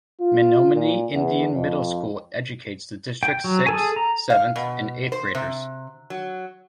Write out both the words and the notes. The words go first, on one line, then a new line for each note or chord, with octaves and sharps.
Menominee Indian Middle School educates the District's sixth, seventh, and eighth graders.
F4
A#2
E2
F2
G5
F#3
G#4 A4 G#5
A#5
F5
B2
C5
C3
F#3